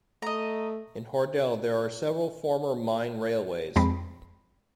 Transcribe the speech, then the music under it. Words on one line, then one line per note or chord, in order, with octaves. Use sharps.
In Hordel there are several former mine railways.
A3 D#5 A#5
F2 G#3 C4 B5